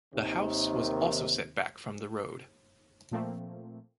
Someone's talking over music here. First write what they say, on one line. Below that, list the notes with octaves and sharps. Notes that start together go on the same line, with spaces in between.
The house was also set back from the road.
D#2 C3 D#3
A#2 F3 A3 A#3 C4